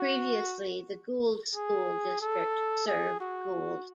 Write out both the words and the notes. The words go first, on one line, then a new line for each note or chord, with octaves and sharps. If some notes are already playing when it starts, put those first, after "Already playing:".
Previously the Gould School District served Gould.
Already playing: F#4
G#4
A4
G#4
F#4